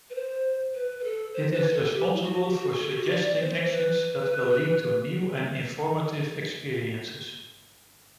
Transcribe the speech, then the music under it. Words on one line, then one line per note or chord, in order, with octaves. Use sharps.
It is responsible for suggesting actions that will lead to new and informative experiences.
B4
C5
B4
B4
A4
C5
B4
A4
G4
E4
F#4
G4
F#4
A4
G4
F#4
G4
D5
D5
C5
B4